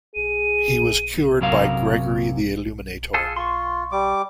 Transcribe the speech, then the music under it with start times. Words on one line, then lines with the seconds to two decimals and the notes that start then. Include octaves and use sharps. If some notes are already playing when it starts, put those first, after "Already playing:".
He was cured by Gregory the Illuminator.
0.15 G#4 D#7
1.41 F#2 C3 F#3 A#4 F5
3.14 F4 G#4 A4
3.36 F4 C6 C#6
3.92 G3 D6